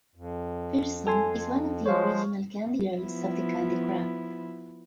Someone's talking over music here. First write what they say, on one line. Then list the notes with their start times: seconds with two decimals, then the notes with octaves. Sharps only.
Pearson is one of the original Candy Girls of the "CandyCrib".
0.15 F2
1.07 A4 G#5 C6
1.86 F3 G#3 C5 C#5 F5
3.00 F3 B3 E4